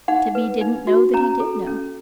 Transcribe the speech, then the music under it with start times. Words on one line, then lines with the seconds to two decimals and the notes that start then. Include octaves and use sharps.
Tibby didn't know that he did know.
0.08 D#4 F#5
0.35 B4
0.61 D#4
0.87 F#4
1.14 C#4 A#5
1.40 A4
1.67 C#4